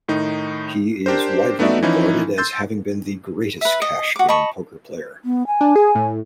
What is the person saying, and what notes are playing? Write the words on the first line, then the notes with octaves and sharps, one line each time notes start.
He is widely regarded as having been the greatest cash game poker player.
A2 D#3 D#4
D4 G4 A#4 C5
A3 B3 D#4 F#4 D5 E5
E3 F3 C#4 D#4 E4
C6 E6 G6 A6
B4 E5
D#5
F#4 D6
D#5 A5 B5 C#6
B3
G#5
D4
G#4
A2